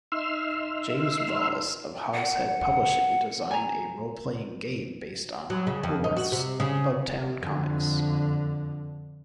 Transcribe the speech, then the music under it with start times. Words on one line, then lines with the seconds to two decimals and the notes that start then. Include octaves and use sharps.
James Wallis of Hogshead Publishing designed a roleplaying game based on Howarth's "Bugtown" comics.
0.12 D#4 E5 C6 E6 F6
2.14 F#5
3.51 G#5 A#5
5.50 F#3
5.67 C#3
5.83 F2
6.04 D#4
6.17 F#4
6.32 C3
6.60 C#3
7.38 F2 D3